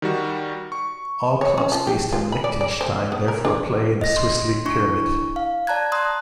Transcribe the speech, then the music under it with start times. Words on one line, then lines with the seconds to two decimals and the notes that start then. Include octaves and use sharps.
All clubs based in Liechtenstein therefore play in the Swiss league pyramid.
0.02 D#3 G3 F#4
0.72 C#6
1.41 C#5
1.58 C#4
1.72 F3
1.87 G4
2.12 F4
2.32 B5
2.44 D5
2.61 D5
2.81 C5
3.12 B3
3.28 A#4
3.45 D4
4.01 D#5 A#6
4.17 C6
4.65 D4 E4 C#6
5.36 F5
5.67 D5 A5 A#5 F#6 G#6
5.92 A#5 C6 D#6 F#6